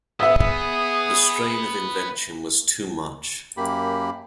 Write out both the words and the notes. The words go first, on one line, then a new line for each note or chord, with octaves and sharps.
The strain of invention was too much.
B3 G#4 E5 E6
F#2 A#3 G4 B5